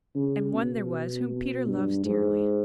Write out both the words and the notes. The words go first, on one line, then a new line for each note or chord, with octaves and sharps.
And one there was whom Peter loves dearly.
C#3
B2
B2
G2
G#2